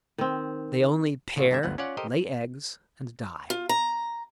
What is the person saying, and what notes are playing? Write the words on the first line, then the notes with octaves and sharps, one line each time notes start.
They only pair, lay eggs, and die.
D#3 C4
A1 C#3 F4 F#4 E5
G2 B2 D3 G4 E5
G1 D2 B3 F#5
C#4 F4 C#5 D5 F#5
G4 A4 A#4 C5 D#5
F4
A#5